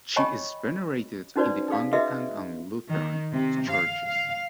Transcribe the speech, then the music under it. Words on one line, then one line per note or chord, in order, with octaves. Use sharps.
She is venerated in the Anglican and Lutheran churches.
C#5 D#5 G5 G#5 B5 C#6
C#4 D#4 F#4 B4 C5 D5
D#4 G#4 F5
F#4 G#4 B4 D#5 E5
D#3
C3
F5
F5